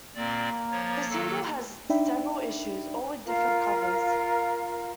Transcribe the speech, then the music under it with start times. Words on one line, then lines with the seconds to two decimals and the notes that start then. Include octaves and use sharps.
The single has several issues, all with different covers.
0.15 A#2 A#3 C4 D5
0.71 F3 C#5 A6
1.09 D#3 F#3 A4
1.89 D4 D#4 D5 E5 G5 B5
3.26 F4 A#4 F5